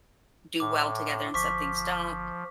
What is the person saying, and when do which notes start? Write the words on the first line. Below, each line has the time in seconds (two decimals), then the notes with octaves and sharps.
do well together and some things don't.
0.60 A2 D6
1.34 G1 F3 C#6 D6 B6